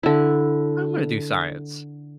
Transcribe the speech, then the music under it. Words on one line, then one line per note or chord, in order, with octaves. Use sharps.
"I'm gonna do science,"
D3 E4